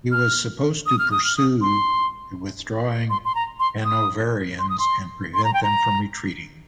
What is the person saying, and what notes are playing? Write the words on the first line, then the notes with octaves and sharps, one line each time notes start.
He was supposed to pursue the withdrawing Hanoverians and prevent them from retreating.
F6
D#6
F6
D#6
F6
D#6
C6
C6
C6
A#5
C6
D#6
C6
D#6
C6
C6
A#5
G5
A#5